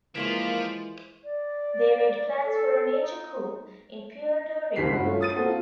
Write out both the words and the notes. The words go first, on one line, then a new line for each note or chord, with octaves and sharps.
They made plans for a major coup in Puerto Rico.
E3 F3 G#3 A#3 F4 B6 D7
D5
A4
D#4
F#1 D#2 G4 B6 C7
G2 F#4
A3 C#4 F4
D#6 A6 D#7
A#3 C4 F#4 A4
F4